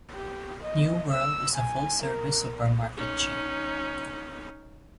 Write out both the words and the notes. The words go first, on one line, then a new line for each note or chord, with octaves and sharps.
New World is a full-service supermarket chain.
G4
D#5
E6
G#5
A#4
C#4 D#4